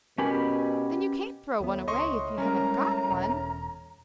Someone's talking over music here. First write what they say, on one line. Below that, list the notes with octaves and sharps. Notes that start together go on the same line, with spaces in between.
"Then you can't throw one away, if you haven't got one."
B2 C#4 G4 A#4 G#5 B5
D#2 A2 B3
C#2 D#5 C6 C#6
G3 G#3 C#4 A#4 A#5
E1